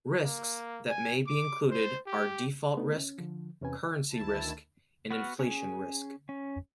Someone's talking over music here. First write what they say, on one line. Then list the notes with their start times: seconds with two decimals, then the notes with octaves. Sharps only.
Risks that may be included are default risk, currency risk, and inflation risk.
0.24 A#3
0.89 G#5
1.26 D6
1.71 C5
2.07 G4
2.77 A3 B3 D4 D#4 A4
2.96 C#4
3.18 D3 F3
3.61 E2 C3 C#4 B4 G#5
4.11 D2 D#3 E4 A5
5.11 B3 F#4 F6
5.39 C#4 G#4
6.29 C#4